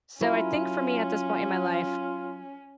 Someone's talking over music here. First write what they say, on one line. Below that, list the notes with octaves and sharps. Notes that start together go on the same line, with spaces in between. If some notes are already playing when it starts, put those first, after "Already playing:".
So, I think for me at this point in my life,
F#3 C#4 E4 F4 A#4